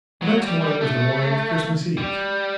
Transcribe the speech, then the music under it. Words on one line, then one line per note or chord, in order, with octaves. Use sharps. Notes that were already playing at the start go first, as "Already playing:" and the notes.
The next morning was the morning of Christmas Eve.
F#3
G3
G3
A3
G3